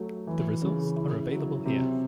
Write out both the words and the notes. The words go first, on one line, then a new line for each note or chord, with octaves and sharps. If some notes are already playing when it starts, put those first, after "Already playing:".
The results are available here.
Already playing: F#3 A3
E3
C#3
E4
F#3
C3